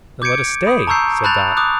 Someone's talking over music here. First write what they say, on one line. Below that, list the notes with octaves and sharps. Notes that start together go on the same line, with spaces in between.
"Then let us stay," said Dot.
D6 G6 G#6 C#7 D7
B5 D#6
A5 A#5 C#6 E6 G6 C7
A5 B5 F#6 G6 A6 F7
D6 D#6 F#6